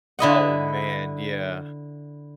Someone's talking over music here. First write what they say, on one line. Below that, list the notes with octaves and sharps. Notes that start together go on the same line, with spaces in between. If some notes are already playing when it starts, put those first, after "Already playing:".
Oh, man, yeah.
D3 E4 D#5 F#5